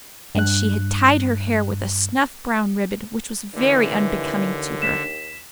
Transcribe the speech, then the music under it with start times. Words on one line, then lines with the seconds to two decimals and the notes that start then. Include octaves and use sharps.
And she had tied her hair with a snuff-brown ribbon which was very unbecoming to her.
0.35 G2 F#6
3.55 D#2 D3 E3
4.82 B6 E7